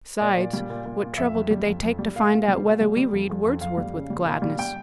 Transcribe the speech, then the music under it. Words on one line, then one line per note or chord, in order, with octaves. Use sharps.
Besides, what trouble did they take to find out whether we read Wordsworth with gladness?
A#2 D5
A#2
G3
A#2
A#2
A#2
F2 E5
F2
G3
F2
F2
G3
A#2 F5
A#2
G3
A#2
G3
G3
F2
F2
F2
F2 F5
G3
C#3
G3
A#2
G3
G3 G5